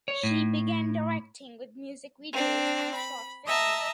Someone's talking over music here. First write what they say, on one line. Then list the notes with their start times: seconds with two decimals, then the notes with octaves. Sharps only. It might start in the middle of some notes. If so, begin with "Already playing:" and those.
She began directing with music videos and short films.
0.08 C#5
0.23 A2
2.32 C4 D4
2.94 B5
3.47 D#5 E5 A5 A#5